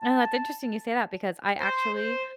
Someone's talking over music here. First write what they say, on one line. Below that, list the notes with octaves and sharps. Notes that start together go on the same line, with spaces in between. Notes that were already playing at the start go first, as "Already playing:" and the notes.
And that's interesting you say that because I actually
A5
C5
C5